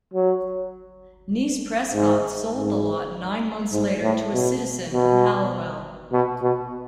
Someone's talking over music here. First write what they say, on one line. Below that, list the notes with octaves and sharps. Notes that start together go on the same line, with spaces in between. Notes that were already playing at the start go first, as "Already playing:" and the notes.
Niece Prescott sold the lot nine months later to a citizen of Hallowell.
F#3
G#2
G#2
G#2
A2
B2
B2
B2
B2